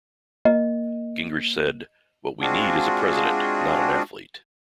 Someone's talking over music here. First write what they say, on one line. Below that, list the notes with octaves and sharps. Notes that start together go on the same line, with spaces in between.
Gingrich said: What we need is a president, not an athlete.
A#3 D#5
G#3 C4 D4 F4 F#4 G#4